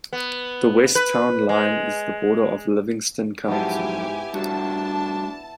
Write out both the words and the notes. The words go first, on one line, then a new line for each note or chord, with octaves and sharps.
The west town line is the border of Livingston County.
B3
B4
G#3
F2 G#2 F#3 B3 E4 G4 G#5 A5
A2 G3 D4 F#4 A5